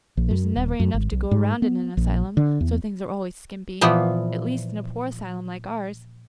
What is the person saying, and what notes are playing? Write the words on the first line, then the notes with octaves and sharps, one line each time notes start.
There is never enough to go around in an asylum, so things are always skimpy--at least in a poor asylum like ours.
A#1
F#2
D#1
F#2
G#1
B1
G#2
B3
A#1
D3
E2
A#2 E3 F3 B3